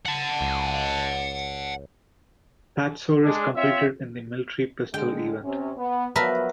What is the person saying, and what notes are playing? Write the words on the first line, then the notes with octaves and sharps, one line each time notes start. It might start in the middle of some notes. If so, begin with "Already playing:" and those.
Patsouris competed in the military pistol event.
F#5 A5
C#2
G#3 D4
C4 F4 C#5 E5
D3 G#3 G5
C3 C#4
B3
F3 F#3 B3 A#4 B4 E5